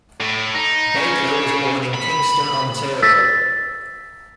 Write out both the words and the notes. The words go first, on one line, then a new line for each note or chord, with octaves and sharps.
Baker was born in Kingston, Ontario.
A2
D#4
C#3
B5
E6 A6 B6